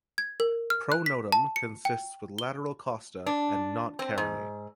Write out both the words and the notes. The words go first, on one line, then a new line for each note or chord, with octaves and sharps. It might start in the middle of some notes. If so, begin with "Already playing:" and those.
Pronotum consists with lateral costa and not carinate.
G#6
A#4
F6
F#6
B6
A5
C#7
G5
G7
D4
C4
G#2